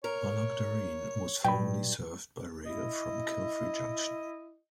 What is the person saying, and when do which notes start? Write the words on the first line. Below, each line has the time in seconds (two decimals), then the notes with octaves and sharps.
Ballaghaderreen was formerly served by rail from Kilfree Junction.
0.04 A#4 C#5
1.44 G2 A#2 F#3 G5 B5
2.66 E4 D#5